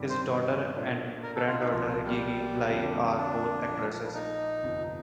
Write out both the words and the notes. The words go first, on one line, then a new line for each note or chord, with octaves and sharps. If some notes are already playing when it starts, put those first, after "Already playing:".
His daughter and granddaughter Gigi Lai are both actresses.
Already playing: G2 D#3 G3 C4 G4
C5
A#2 A3 D4
A#4
A4
F4
D#4
C2 A#2 F3 A#3 F4
F4
G3
F2 D3 F3
D4
A#1 A#2 F3
D#4
G1 F2 C3